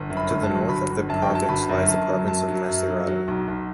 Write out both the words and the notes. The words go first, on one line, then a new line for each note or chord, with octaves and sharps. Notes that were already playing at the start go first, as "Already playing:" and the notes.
To the north of the province lies the Province of Macerata.
Already playing: G1
F#2
B5
G1
A5
F#3
G1 B5
G1
F#2 A5
G5
F#3
A5
G1 B5
F#2
F#2 A5
F#3
F#2 A5
F#3
F#2
F#3
F#3
B1
B1